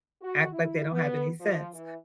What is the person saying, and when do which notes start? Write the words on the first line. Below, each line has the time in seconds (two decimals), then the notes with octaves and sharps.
act like they don't have any sense.
0.22 F#4
0.53 E4
0.91 B3
1.40 F3
1.72 E3